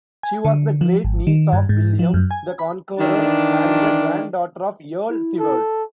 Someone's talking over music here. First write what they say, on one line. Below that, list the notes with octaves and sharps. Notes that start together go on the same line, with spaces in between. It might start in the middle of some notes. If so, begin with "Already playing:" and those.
She was the great-niece of William the Conqueror and the granddaughter of Earl Siward.
G#5
D3
F3
G#1
D#3
G2
G#2
F3
F#2
G#5
B5
D#3 E3 D4
E4
A4